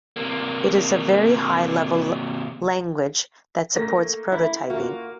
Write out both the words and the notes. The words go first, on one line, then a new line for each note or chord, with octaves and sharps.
It is a very-high level language that supports prototyping.
C3 A#3
A3 A#3 A#6
E4
A#3 F4 F#4